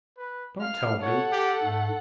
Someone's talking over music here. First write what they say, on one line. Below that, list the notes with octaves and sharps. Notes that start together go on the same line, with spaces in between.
'Don't tell me!
B4
F5 F6
A4 C#5 F#5
G4
G#2 A3